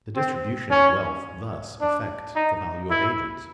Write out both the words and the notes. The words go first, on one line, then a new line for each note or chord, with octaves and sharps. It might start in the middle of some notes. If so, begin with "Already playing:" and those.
The distribution of wealth thus affects the value of agents.
C4
C#4
D4
D#4
E4